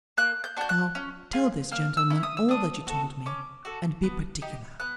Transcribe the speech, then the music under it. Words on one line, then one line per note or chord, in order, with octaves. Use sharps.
Now, tell this gentleman all that you told me; and be particular.
A#3 F#6
G6
D4 F#4 G6
F#6
C#4
F4 G#4
A#3 F6
E6
C#4 E4
D#6
E6
D4 D#6
F#4 A4
C#4 D6
F#4 A4
B3
D#4 G4
B3 F#6